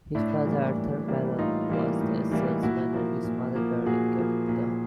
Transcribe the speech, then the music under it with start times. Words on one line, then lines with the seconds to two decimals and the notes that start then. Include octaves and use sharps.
His father, Arthur Mallon, was a salesman and his mother, Caroline, kept the home.
0.15 A2 D4 E4
0.46 E3 G3 A#3
0.77 A2
1.08 E3 G3 A#3
1.39 A2 D#4 F4
1.70 E3 G3 A#3
2.01 A2
2.31 E3 G3 A#3
2.63 A#2 E4 F#4
2.94 F3 A#3
3.24 A#2
3.55 F3 A#3
3.86 A#2 F#4 G#4
4.17 F3 A#3
4.48 A#2